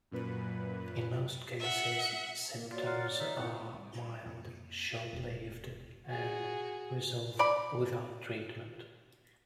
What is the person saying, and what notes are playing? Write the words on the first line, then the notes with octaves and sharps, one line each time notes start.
In most cases symptoms are mild, short-lived, and resolve without treatment.
F#2 A#2 B4
E5 F#5
A#3
A#3 F4 F#4 C#5 D5
A#4 F5 F#5 C6
C#5
D#4 E5
C4 E4 F#5 C#6
G3
F2 A#3
E1
F#4 G#4
D5 B5